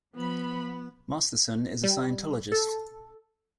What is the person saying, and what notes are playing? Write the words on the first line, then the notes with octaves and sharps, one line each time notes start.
Masterson is a Scientologist.
F3 B3 B5
G3
A4